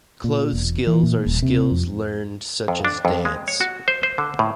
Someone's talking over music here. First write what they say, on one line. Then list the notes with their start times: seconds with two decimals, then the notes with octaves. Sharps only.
Closed skills are skills learned such as dance.
0.24 A#2
0.53 E1
0.87 E3
1.03 A#2
1.26 D#1
1.42 C3
1.71 F2
2.68 F2
2.85 D4
3.05 F2
3.25 G#3
3.48 C#5
3.61 F#4
3.88 C5
4.03 C5
4.18 D3
4.39 A2